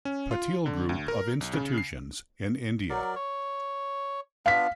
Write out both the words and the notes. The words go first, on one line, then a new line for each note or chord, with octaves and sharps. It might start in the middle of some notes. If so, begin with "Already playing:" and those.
Patil Group of Institutions in India.
C#4
F4
D3
D2
A#4
B1
C#3
C7
F#3 A#4 D5
C#5
B3 D4 F4 F5 B6